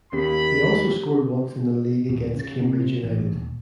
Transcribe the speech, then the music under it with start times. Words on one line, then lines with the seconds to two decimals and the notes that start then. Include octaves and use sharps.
He also scored once in the league against Cambridge United.
0.13 D#2 C#4 G4 B5
2.09 D1
2.36 C#3
2.60 C3
3.03 A1
3.33 D#1